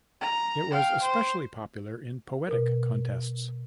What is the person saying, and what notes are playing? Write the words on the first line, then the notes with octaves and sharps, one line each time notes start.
It was especially popular in poetic contests.
A#5
F5 G5
C5
B2 A#4